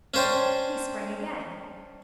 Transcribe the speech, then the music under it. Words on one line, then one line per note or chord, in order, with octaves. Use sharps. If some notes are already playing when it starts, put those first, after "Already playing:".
He sprang again.
C#4 D4 C5 G5